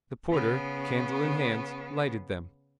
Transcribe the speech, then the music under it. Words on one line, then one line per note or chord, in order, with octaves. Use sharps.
The porter, candle in hand, lighted them.
C#3 B3